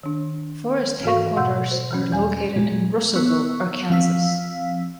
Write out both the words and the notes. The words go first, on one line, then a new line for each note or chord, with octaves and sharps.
Forest headquarters are located in Russellville, Arkansas.
D#3 D4
G#2 E3 F#4 A4 F5 C#6
G#2 B2 F#5 C6 E6 G6
C5
E3 C#4
E2 G3 G#5
A#2 G#3
B3 C#6 E6 F#6
F3 C4 F5 E6 B6